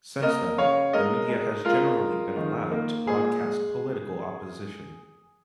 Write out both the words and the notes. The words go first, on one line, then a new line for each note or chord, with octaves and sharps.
Since then, the media has generally been allowed to broadcast political opposition.
A#3 A#4 D#5
C#3 C#5 F5
G#3 A#4 D#5
G#3
G#3 F4 A#4
G#3
D#3
A#3
A#2 G#4
G#3